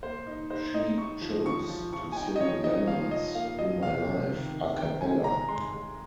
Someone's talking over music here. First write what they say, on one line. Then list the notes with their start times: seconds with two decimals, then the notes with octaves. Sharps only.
She chose to sing Lennon's "In My Life" a cappella.
0.03 A#3 C5
0.27 D#4
0.50 D#4 C5
0.74 D#4 D#5
0.98 D#4 C#6
1.22 F3
1.45 F3 C#6
1.69 F3
1.93 F3 C#6
2.12 G#5
2.16 D#4 G5
2.36 D#5
2.40 F3 C#5
2.64 D#4 D#5
2.87 F3 F5
3.11 F3 D#5
3.35 A#3 F5
3.59 F3 D#5
3.83 C3 F5
4.06 C3
4.30 D#3
4.53 D#3
4.77 D#3 G5
5.01 G#3 G#5
5.24 G#3 A#5
5.49 G#3 C6
5.73 G#3